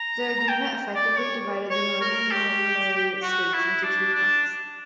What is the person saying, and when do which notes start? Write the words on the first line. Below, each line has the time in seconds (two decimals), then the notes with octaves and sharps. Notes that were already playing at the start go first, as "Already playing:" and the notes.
The agreement effectively divided the northern Malay states into two parts.
Already playing: A#5
0.40 A#5
0.49 G5
0.95 D5
1.18 C#5
1.70 C#5
2.01 A#4
2.31 G4
3.23 F#4
3.53 E4
3.83 D4
4.13 D4